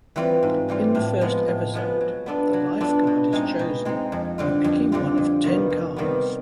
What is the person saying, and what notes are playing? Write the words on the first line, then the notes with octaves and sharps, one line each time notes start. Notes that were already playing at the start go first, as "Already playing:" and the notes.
In the first episode, the Lifeguard is chosen by picking one of ten cards.
E3 G3 C4 F4
G#2
E3 G3 C4 F4
A2
F3 G#3 B3
A2
F3 G#3 B3
F#3
B3 D4 F4 A4
F#3
B3 D4 F4 A4
B2
G#3 C4 D#4
B2
G#3 C4 D#4
F2
D3 G3 C4 F4
F2
D3 G3 C4 F4
F2
C3 D#3 G3 B3
F2
C3 D#3 G3 B3